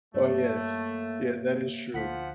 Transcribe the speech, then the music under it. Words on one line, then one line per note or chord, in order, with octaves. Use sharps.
Oh, yes. Yes. That is true.
G2 A3 A#3 C#5 E5
D2 F3 F4 F#5 B6